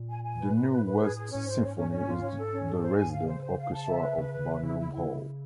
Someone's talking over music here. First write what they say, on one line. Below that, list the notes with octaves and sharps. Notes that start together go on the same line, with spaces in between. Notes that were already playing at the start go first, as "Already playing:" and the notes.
The New West Symphony is the resident orchestra of Barnum Hall.
Already playing: A#2
G#5
G#5
B4
A2 B4
B4
B4
G#4
G#4
C#4
A2
G#2 C5
C#4
C#4
C#4
F4
C#4
A4
C#4
A4
C5
G#5
F5
C#3 C5
C5
F5
A5
E5
B4
C#3 B4
B4
E5
C#3 E4
E4
E4